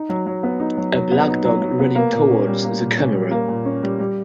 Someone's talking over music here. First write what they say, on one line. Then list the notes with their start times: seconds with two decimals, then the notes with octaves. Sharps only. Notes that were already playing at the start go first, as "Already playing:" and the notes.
A black dog running towards the camera.
Already playing: D#4
0.09 F#3
0.26 F#3
0.43 B3
0.60 D#4
0.77 F#3
0.94 F#3
1.11 B3
1.28 D#4
1.44 F#3
1.62 F#3
1.79 B3
1.95 A#3
2.13 A#2
2.30 C#4
2.47 G3
2.64 A#3
2.81 A#2
2.98 C#4
3.15 G3
3.31 A#3
3.48 A#2
3.65 C#4
3.83 G3
3.99 G3